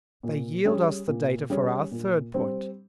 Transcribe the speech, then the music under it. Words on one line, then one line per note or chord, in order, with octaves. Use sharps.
They yield us the data for our third point.
A#2
G3 C#4 G#4
A#2
G3 C#4 G#4
A#2
G3 C4